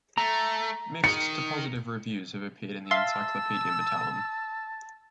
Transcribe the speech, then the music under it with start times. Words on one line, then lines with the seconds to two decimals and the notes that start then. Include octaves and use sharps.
Mixed to positive reviews have appeared in the Encyclopaedia Metallum.
0.18 A3 A#5
1.04 D#3 D#4 C#7
2.91 E5 F5 A5 C6 E6